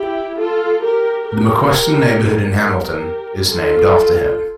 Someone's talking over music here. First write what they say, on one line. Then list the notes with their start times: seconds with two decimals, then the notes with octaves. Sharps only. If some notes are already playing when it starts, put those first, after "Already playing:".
The McQuesten neighbourhood in Hamilton is named after him.
Already playing: E4 G4
0.38 F4 A4
0.82 G4 A#4
1.27 G4 A#4
2.61 G4 A#4
3.51 F4 A4